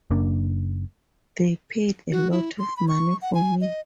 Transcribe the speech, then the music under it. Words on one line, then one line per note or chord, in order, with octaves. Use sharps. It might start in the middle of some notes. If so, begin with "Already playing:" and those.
They paid a lot of money for me.
F#1 F#2 A#3 D4
F#4
E4
C6
B5
C#6
F#5
G#5
D#5